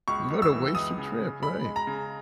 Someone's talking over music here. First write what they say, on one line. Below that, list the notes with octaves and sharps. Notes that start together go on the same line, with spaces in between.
What a wasted trip, right.
C#2 C#6
C#2
E6
E3
C#2 D#6
C#3
C#3
G#3 B5
G#3
A#5
C#3